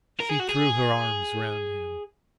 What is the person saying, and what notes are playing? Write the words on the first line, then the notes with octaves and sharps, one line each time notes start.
She threw her arms round him.
A#4
G#4
F#4
G#4